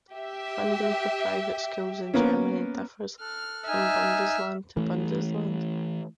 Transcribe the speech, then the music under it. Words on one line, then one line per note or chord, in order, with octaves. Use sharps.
Funding for private schools in Germany differs from Bundesland to Bundesland.
G4 E5
A#3 B3 C#4
A4 F6 F#6
D#4 E5 G#5 F6
E3 A3